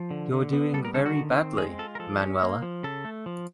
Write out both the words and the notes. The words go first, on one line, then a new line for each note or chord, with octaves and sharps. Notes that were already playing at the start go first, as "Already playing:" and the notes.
You’re doing very badly, Manuela.
Already playing: F3
D3
D3
B3
G3 A4
A#4
D3 A4
F#4
D#3
C4
G#3 G#4
F4 A4
A#4
F3 A4
C#4
A#3
F3
C#3 A4
A3
F3